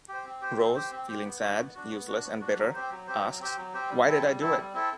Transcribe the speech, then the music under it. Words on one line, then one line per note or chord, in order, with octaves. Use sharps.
Rose, feeling sad, useless and bitter, asks Why did I do it?
G4 C5
C4
G4 C5
C4
G4 C5
C4
G4 C5
B3
D4 F#4
B3
D4 F#4
B3
D4 F#4
B3
D4 F#4
F#3
C4 G4 C5
F#3
C4 G4 C5
F#3
C4 G4 C5
F#3
C4 G4 C5
G3
C4 E4 A4
G3
C4 E4 A4
G3
C4 E4 A4